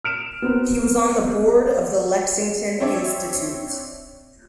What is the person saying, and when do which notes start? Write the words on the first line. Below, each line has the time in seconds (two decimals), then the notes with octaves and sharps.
He was on the board of the Lexington Institute.
0.04 F6 D7 E7
0.42 B3 C4 A#4
2.80 C4 D4 C#5 D5 E5